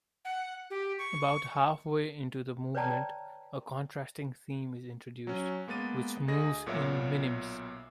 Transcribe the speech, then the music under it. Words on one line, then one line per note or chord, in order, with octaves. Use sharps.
About halfway into the movement, a contrasting theme is introduced, which moves in minims.
F#5
G4
C#6
B4 C#5 D5 G5 A5 A#5
F#3 C#4
G#3 A#3 B3 A6 D#7
D2 G#4 D#5 A#6
B1 A#2 B3 A#4 C#5 E5